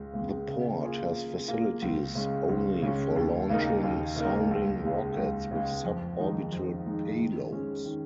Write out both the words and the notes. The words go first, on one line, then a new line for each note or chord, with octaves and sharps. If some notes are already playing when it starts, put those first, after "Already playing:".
The port has facilities only for launching sounding rockets with sub-orbital payloads.
Already playing: C#2 C#3 G#3
C#3 G#3
C#3
A#3 F4 G#4
C#3
A#3 F4 G#4
C#2
C#3 G#3 C#4
C#2
C#3 G#3 C#4
D#2
C#3 A#3 D#4 A#4
D#2
C#3 A#3 D#4 A#4
C#2
C#3 G#3
C#2
C#3 G#3
F2
D#3 G#3 D#4
F2
D#3 G#3 D#4
D#3
G#3 C#4 G#4
D#3